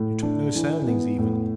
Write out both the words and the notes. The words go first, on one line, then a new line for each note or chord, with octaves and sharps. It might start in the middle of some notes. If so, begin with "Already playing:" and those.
You took no soundings even.
Already playing: A2
D4
E3
B3
A2